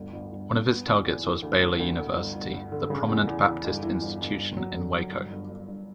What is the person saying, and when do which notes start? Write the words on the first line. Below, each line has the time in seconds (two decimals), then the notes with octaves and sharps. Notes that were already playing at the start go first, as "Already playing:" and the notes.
One of his targets was Baylor University, the prominent Baptist institution in Waco.
Already playing: G1 D2
0.13 G1
0.32 G1
0.51 G2
0.69 B3
0.86 E2
1.05 E2
1.23 E3
1.42 D2
1.61 D2
1.79 D2
1.98 D2
2.16 G1
2.35 G1
2.53 G2
2.72 D3
2.90 C#3
3.08 E2
3.27 E2
3.45 E2
3.64 G1
3.83 E3
4.02 G1
4.20 G1
4.39 G1
4.57 F#3
4.76 D3
4.94 F#3
5.12 G2
5.30 G1
5.49 G1
5.68 G2